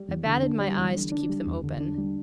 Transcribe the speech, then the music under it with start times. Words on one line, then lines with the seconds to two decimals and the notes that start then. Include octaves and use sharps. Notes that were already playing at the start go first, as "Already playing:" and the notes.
I batted my eyes to keep them open.
Already playing: G3
0.09 E2
0.26 D3
0.43 D4
0.60 G3
0.77 E2
0.95 D3
1.12 D4
1.29 G3
1.47 E2
1.63 D3
1.80 D4
1.98 G3